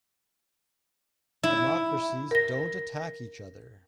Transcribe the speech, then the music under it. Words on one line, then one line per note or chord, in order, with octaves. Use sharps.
Democracies don't attack each other.
E4
A#4 A#6